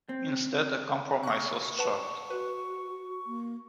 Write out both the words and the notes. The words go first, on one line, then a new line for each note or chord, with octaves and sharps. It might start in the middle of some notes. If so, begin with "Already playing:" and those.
Instead, a compromise was struck.
C4
C#6 F#6 A#6
B4 F#5 A5
F#4 B4
A#3